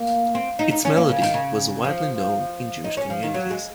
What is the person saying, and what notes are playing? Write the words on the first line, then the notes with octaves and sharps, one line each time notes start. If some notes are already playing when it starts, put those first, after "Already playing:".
Its melody was widely known in Jewish communities.
Already playing: A#3
C4
D#4
D#4
C#4
A#3
C#3
D#3
C#3
F3
D#4
C#4
F3
D#3
F#3
G#3